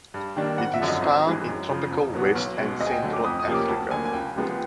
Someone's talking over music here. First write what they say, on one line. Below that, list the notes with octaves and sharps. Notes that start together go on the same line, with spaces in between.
It is found in tropical West and Central Africa.
G2
D#3 G3 A#3 D4
G#1 F#5
E5
F#2 D3 F3
D#5
G#1
G2 E3 G#3
F#2
C#3 F3
E1
E2 B2 F#3 B3
B1
B2 G#3
D2 D#5
G#5
G5
D3 F#3 A3
D6
F2 D#6
D#6
C3 F3 A#3 C#4
D6
D2 A5
D3 F#3 A#3 G#5
G#5
C#2 G5
C3 F3 G#3 B3